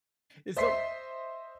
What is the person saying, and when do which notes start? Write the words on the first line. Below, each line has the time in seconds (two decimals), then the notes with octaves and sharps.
It's a l
0.57 C5 D#5 E5 C6 B6 C7